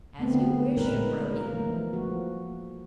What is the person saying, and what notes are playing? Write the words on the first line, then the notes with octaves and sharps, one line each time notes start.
"As you wish, Brodie."
D3 A3 B3 C4
A#2 G#3 A3 D#4 A#4 B4
A#3 A#4
E3 F3 G3 A3
F3 A#3 F#4